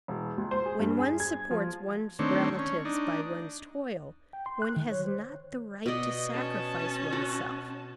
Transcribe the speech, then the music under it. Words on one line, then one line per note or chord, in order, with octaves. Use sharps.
When one supports one's relatives by one's toil, one has not the right to sacrifice one's self.
E1
C#2
C5
G#4
G2
G#4
G#6
F3
D#3 A3 C4 D4 C#5
C#4
D4 D#4
G5
C6
F#6
D#3
C#5
C5
B2 D5 D#5
C#4 A5
F#4